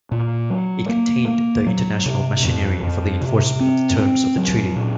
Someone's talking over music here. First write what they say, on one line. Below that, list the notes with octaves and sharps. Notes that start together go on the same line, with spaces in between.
It contained the international machinery for the enforcement of the terms of the treaty.
A#2
F#3
A#3
A#3
F#3
C3
F2
F2
C3
C4
C4
F#3
A#2